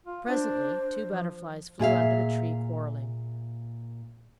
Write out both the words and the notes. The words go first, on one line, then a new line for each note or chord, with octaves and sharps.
Presently two Butterflies flew under the tree, quarrelling.
F4
D4 C5
F3
A#2 G#4 E5 F5